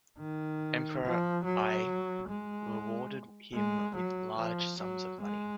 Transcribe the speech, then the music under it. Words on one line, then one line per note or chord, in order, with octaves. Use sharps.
Emperor Ai rewarded him with large sums of money.
D#3
F3
F#3
G#3
G#3
F#3
F3
F#3
G#3